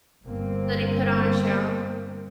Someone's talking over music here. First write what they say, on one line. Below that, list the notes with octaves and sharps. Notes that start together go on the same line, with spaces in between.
So, they put on a show?
G1 A#3 C4